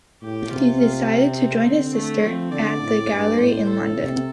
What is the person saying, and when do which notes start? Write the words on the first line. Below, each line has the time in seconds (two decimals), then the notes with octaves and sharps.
He decided to join his sister at the gallery in London.
0.22 A2 G4
0.50 C3 F4
0.80 F4
1.08 C4
1.66 D3
1.94 A3
2.23 F3 C4
2.51 D3 D5
2.80 A2
3.09 G2
3.38 A2 C5
3.67 A4
3.95 C3